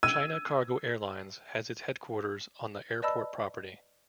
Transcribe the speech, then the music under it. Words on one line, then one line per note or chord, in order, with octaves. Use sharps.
China Cargo Airlines has its headquarters on the airport property.
E6 G#6 D#7
B4 D5 D#5 A5 B5 E6